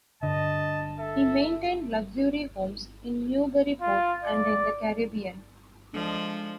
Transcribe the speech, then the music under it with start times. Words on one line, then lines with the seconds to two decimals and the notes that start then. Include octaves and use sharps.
He maintained luxury homes in Newburyport and in the Caribbean.
0.23 G2 D3 D#5 A5
0.99 A4 E5
3.81 F4
4.24 D5
5.93 F3 G#3 D4 A4 D#5